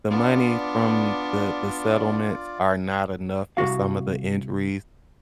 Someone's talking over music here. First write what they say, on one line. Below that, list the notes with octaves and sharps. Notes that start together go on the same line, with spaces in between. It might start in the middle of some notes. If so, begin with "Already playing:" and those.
the money from the the settlements are not enough for some of the injuries
B3 D4 F4 D5
C2 A#2 F#4 F5